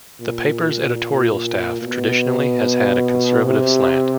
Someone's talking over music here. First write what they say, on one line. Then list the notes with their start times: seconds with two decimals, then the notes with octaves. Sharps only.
The paper's editorial staff traditionally has had a conservative slant.
0.20 A#2
1.82 B2
3.43 C3